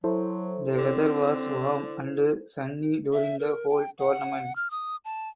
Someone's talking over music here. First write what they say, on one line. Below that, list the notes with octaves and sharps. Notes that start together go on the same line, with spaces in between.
The whether was warm and sunny during the whole tournament.
F#3 E4 A4 C5
D3 C4
E5
A#4
G5
F#5
F6
D#6
A5